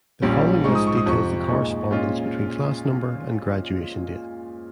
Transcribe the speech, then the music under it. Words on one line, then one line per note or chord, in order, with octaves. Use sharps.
The following list details the correspondence between class number and graduation date.
A#1 A#2 G3 C#4
G#2 F3 G#3 D#4 C#6
D#6
C#6
D#6
F2 C3 F3 C#6
A#2 G#3 D#4 C#6
A#2 G#3 C#4 F4